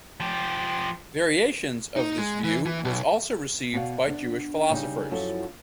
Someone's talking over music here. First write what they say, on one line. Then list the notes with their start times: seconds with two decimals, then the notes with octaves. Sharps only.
Variations of this view was also received by Jewish philosophers.
0.20 F3 G4
1.96 D#4
2.18 G#3
2.44 E3
2.66 E3
2.85 B1
3.74 B2 F#4 D5 F5
4.07 B3 D4
4.70 C#3 G3 D#4 G4
5.10 F#2 F3 F#3 E4 F4 A4